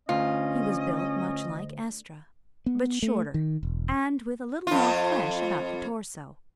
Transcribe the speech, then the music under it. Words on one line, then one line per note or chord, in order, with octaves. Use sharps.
He was built much like Estra, but shorter, and with a little more flesh about the torso.
D2 C#4 F4 D#5
B3
A3
D#3
E1
F2 F4